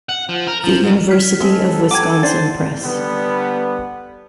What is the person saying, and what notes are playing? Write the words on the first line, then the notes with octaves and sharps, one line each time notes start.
The University of Wisconsin Press.
F#5
F3
A#4
F3
G#2
F6 B6
G#3 C4 A4
F#5 G5 D6 G#6
D4 C5 A6
D3 G3 B3